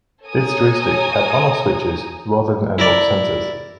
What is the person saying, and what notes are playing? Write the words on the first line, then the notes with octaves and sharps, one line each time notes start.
This joystick had on-off switches rather than analogue sensors.
A4 C#5 G#5 A#5 D#6
E4 A#4 D5